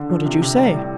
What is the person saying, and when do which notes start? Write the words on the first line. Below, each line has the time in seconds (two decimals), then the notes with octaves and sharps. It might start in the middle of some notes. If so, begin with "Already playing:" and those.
"What did you say?"
Already playing: D3
0.10 F3
0.25 C3
0.42 C3
0.58 G3
0.74 A2